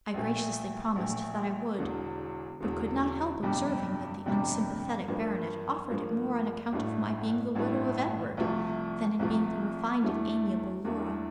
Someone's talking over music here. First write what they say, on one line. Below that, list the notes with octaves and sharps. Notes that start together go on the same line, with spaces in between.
I graciously promised that I would, but could not help observing that the unsimpathetic Baronet offered it more on account of my being the Widow of Edward than in being the refined and amiable Laura.
A#1 A#2 A3
A#1 A#2 A3
E1 E2 D3
E1 E2 D3
G1 F2 C3 G3 D4
G1 F2 C3 G3 D4
G2 F3 A#3
G2 F3 A#3
A1 G2 E3 A3
A1 G2 E3 A3
C2 C3 F3 A3
C2 C3 F3 A3
E2 E3 A3 D4
E2 E3 A3 D4